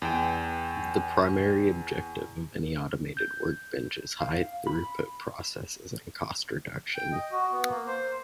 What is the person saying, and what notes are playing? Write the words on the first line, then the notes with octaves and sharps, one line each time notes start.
The primary objective of any automated workbench is high-throughput processes and cost reduction.
E2 G5
G6
F5
B5
G5
D#5
F#4
B3
A#3
C5